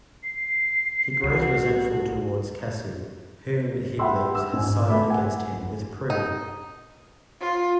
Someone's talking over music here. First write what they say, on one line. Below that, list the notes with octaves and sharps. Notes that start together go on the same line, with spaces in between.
He grows resentful towards Cassie, whom he believes has sided against him with Prue.
C7
C2 F#4
E5 F#5 G5 B5 C6 E6
E6
G#2 G#5
A3 E5 B5 D6
F#5 G#5
D#4
F4